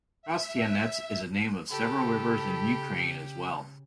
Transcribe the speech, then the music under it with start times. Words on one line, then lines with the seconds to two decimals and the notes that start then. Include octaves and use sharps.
Trostianets is a name of several rivers in Ukraine as well.
0.22 E5
1.71 C#3 G4 A4 B5